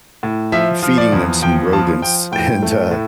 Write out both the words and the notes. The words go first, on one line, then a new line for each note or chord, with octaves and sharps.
feeding them some rodents, and, uh
A2
F3 E5
F3
D5
E2
F3 G5
F3 A5
F3 G5
A2 G5
A3
A2